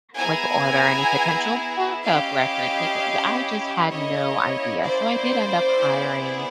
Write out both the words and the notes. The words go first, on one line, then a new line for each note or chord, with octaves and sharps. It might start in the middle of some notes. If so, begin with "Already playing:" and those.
like, are there any potential backup records, like, i I just had no idea, so I did end up hiring
B3 E4 G#4 G#5 A#5
C#4 E4 G4 D#5 F5
A#3 C#4 E4 C#5 D#5
C5 D5
B3 E4 G#4